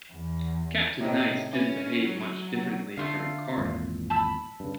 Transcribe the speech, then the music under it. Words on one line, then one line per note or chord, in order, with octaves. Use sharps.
Captain Nice didn't behave much differently from Carter.
E2
A2 C3 D#3
E3 C#4
F#3
D3 A3 F4 F5
G#1 E2 A#2
A5 B5 E6
G2 C#3